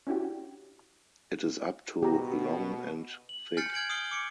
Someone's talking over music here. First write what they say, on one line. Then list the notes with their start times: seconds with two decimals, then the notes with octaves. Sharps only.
It is up to long and thick.
0.07 C#4 D4 E4 F#4 G4
2.02 B2 G4 A#5
3.29 F#7
3.57 G#5 F6 G6 A6 C7 C#7
3.74 F6 G#6 D7 F#7
3.90 D#6 F6 C7 D7 G7
4.11 D6 C#7 D7